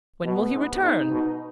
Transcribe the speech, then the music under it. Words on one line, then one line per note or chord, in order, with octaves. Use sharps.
"When will he return?"
B2 B3
G#2
G#2 D#4
B2